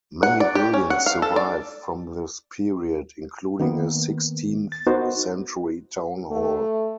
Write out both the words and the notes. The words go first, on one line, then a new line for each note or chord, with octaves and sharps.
Many buildings survive from this period, including a sixteenth-century town hall.
F#5
D5
G4
C#4
F#5
F5
A4
D5
D#3 A#3 B3
A6
B3 D#4 F#4 A#4 C5
A3